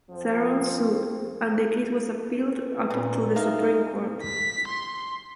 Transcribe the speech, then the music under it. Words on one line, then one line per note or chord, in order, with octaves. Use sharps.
Sharron sued, and the case was appealed up to the Supreme Court.
F2 F3 C4
B4
A#2 C#3
A#3 D#4 E5 F5
B6
C6